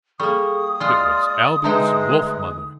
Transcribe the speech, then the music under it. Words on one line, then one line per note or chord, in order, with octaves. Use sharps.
It was Ailbe's wolf-mother.
G3 A#3 G#4 A4 C#6 D#6
G#3 F4 D5 C6 F6
D3 G#3 D#4 B4 E5 G5 A#5